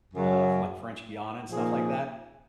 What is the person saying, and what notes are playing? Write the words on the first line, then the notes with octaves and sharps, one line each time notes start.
uh, like, French goan and stuff like that.
F#2 C#3 F#3
A#2 F3 A#3 D#4 G#4